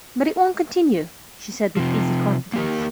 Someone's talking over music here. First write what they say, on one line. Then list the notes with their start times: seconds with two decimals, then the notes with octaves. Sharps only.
But it won't continue, she said with easy confidence.
1.77 C3 F3
2.53 A#3 G4 A#4